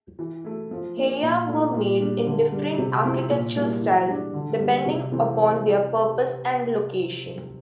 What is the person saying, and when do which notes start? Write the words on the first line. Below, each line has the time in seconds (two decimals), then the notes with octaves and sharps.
Heiau were made in different architectural styles depending upon their purpose and location.
0.19 E3
0.44 A3 E4
0.71 F3
0.97 A#3 D4
1.23 A#2
1.48 A3 E4
1.74 A#2
2.00 G3 D4
2.26 D3
2.52 G3 D4
2.78 C3
3.04 F3 C4 E4
3.30 A#2
3.56 G3 A#3 E4
3.82 E3
4.08 G3 D4
4.34 D3
4.60 G3 A#3
4.86 C3
5.11 E3 A3 C4